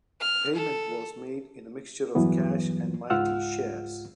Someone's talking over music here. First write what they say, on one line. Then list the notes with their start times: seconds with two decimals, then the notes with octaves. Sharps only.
Payment was made in a mixture of cash and Mitie shares.
0.20 F6
0.55 A4
2.15 E2 G2 E3 F#3 B3
3.10 C#2 G#2 F4 F#5 E6 F6